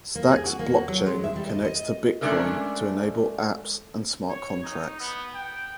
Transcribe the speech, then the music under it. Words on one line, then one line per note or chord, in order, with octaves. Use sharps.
Stacks blockchain connects to Bitcoin to enable apps and smart contracts.
A#3
G#4
F#4
A#3
F#4
F#3
G#3
E5
G3
D#5
D#5
G#3 A3 C#4 D4 A4 A#4
C#5
D#4
B3
G5